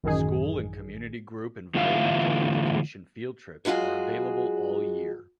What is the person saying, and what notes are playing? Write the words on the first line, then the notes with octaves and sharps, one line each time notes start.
School and community group environmental education field trips are available all year.
A1 F#2 D#3 D#4 G#4
E2 A2 D3 F4 E5 F5
F#3 G#3 F4 F#4 G#4